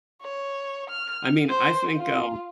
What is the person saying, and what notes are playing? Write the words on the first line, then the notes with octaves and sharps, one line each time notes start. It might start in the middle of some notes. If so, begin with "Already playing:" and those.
I mean, I think, um
C#5
F6
C5
F4